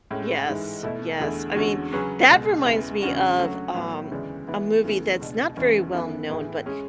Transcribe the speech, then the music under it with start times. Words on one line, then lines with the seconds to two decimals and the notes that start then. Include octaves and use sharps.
Yes, yes. I mean, that reminds me of, um, a movie that's not very well-known, but,
0.10 A2 G#3 C#4
0.47 G#2 E3 G#3
0.83 B2 A3 E4
1.19 E2 D3 A3 E4 G#4
1.56 E2 D3 G#3 C#4 F#4
1.92 C#3 F#3 C#4 G#4 B4
2.29 C#2 B2 G#3
2.65 E2 C#3 E3 G#3
3.02 E2 C#3 G#3 D4 F#4
3.38 D3 F#3 A3 C#4 F#4
3.74 A2 F#3 B3
4.11 D2 C#3 E3 G#3 D4
4.47 E3 G#3 B3
4.84 E2 C#3 E3 A3
5.20 C#2 B2 G#3 D4
5.56 E2 C#3 E3 G#3 C#4
5.93 F#2 E3 B3 E4 A4
6.29 A2 E3 A3 E4 G#4
6.66 G#3 C#4 G#4